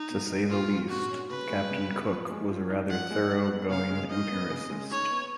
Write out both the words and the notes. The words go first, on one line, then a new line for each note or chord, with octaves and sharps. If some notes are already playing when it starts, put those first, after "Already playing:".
To say the least, Captain Cook was a rather thorough going empiricist.
Already playing: D#4
B2
D#4
A#2 F4
F#3
A#2 F#4
C#4
C#3 B4
G#3
C#3
B3
F3
G#3
F3
D#4
F3 F#5
G#3
D#4
B3
C#3 F5
G#3
D#4 D#5
B3
C#3
G#3
D#4 C#5
B3